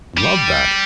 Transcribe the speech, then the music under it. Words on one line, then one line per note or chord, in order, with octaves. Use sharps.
Love that.
G3